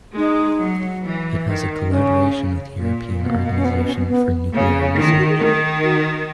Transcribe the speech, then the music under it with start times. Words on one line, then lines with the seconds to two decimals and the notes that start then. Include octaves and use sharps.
It has a collaboration with European Organization for Nuclear Research.
0.16 G#3 D#4
0.60 F#3
1.03 E3
1.47 D#3
1.90 C#3 C#4
2.78 A#2
3.21 B2 B3
3.29 A#3
3.44 A#3
3.56 C#4
3.65 B3
3.76 B3
3.87 C#4
3.98 B3
4.09 B3
4.52 C#3 A#3
4.67 B3
4.82 C#4
4.96 D#3 D#4
5.07 E4
5.19 F#4
5.29 G#4
5.39 D#3 A#4
5.84 F#4